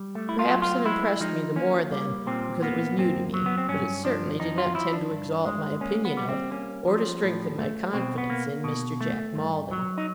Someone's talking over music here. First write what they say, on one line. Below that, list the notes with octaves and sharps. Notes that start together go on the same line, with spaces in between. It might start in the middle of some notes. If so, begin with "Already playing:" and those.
Perhaps it impressed me the more then, because it was new to me, but it certainly did not tend to exalt my opinion of, or to strengthen my confidence in, Mr. Jack Maldon.
Already playing: G3
A3
E4
F4
F#3
F4
G#3 E4
F3 D#4
A#3 C#4
G3
A#2 C4
A#3 B3
F#2 C4
F#3
B3
C4
G2 C#4
F3 D4
F2 D#4
F4
F3 E4
D4
G2
G#3
A#3 C#4
B3
G3
C4
A#3 C#4
F3
A2
A3
B2 C4
B3
A#3
B2
A3
G2
F#3
D#4